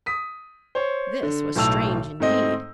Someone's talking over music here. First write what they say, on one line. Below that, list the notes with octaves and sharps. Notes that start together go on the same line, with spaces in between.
This was strange indeed!
D#6 B6
C5 C#5
D3
B1 A2 A5 E6 F7
G#2 A3 C4 D#5